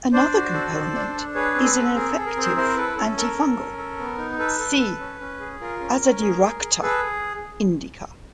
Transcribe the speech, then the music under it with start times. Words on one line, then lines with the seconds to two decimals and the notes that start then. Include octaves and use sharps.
Another component is an effective anti-fungal; see "Azadirachta indica".
0.13 D4 C5 D5
0.33 F#4
0.53 A4
0.74 A4
0.95 D4
1.15 D4
1.35 G#4 B4 C#5
1.55 C4
1.65 A4 B4
1.76 C4
1.95 G#4 A#4
2.10 A4
2.16 G#4
2.26 A#4
2.37 C4 A#4 C5
2.56 E4 A#4 C5
2.76 A4 B4
2.96 C#4 A4
3.17 A4 A#4
3.37 A4
3.57 C#4
3.77 A4
3.99 B3
4.18 D#4
4.38 A4 B4
4.59 A4
4.79 A4
4.99 C#4
5.20 C#4
5.39 G#4
5.61 F4 A#4
5.80 C#4
6.01 C#4
6.21 G#4
6.41 G#4
6.61 G#4
6.81 G#4 A4 B4